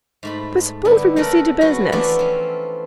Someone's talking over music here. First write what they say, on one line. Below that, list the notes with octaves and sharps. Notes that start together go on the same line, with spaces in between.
But suppose we proceed to business.
G#2 A3 B5
D3 G3 B3
C#3 A3 A4 A#4 F#5
F#3 A3 F#4 B4
E3 F3 A3 B3 D4 E5
C4 C#4